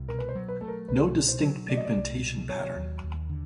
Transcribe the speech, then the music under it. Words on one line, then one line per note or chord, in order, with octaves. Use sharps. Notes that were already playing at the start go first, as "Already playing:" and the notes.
No distinct pigmentation pattern.
Already playing: C2
B2 A#4
B4
C5
F#3
B4
A3 A4
A#4
C2 B4
B2
C5
F#3
A3 D5
D#5
D5
C2
B2
F#3 C#5
D#2
D#2
D3